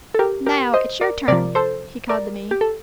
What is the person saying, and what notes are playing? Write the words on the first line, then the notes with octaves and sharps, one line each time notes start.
"Now, it's your turn," he called to me.
A4
G4 A#4
G4 A#4
C5 D#5
A#4 D5
C3 F3 A#4 D5
A4 C5
A#4 D5
G4
A4